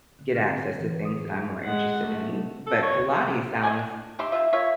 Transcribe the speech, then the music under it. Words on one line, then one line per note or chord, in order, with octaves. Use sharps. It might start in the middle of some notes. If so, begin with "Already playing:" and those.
get access to things that I'm more interested in. But Pilates sounds
D3
F6
C4
C#5
E3
B4
D#6
G#4
G#3 F#5
A3
A4
C#5
C3
D#5 G#5
D4
D#4 G4 E5 C6
D#3 A#3 F4 E5
A#3 F4 C#5 E5